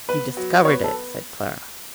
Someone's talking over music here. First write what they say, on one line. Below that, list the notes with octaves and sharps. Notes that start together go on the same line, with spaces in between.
"You discovered it!" said Clara.
B3 B4
F#3
B3 C#5
A4